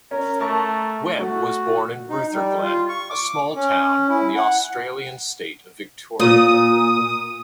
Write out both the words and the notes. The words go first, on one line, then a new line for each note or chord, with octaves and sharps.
Webb was born in Rutherglen, a small town in the Australian state of Victoria.
C#4 A#4
A3 A#4 A5 C#6
A3 F#4
D#4
G3
F4
C#6
D6
C#4
E4
F#5
A#2 D#6